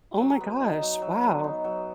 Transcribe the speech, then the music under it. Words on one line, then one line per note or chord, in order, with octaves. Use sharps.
Oh my gosh, wow.
F#3
B3
D#4
F#3
F#3
B3
D#4
F#3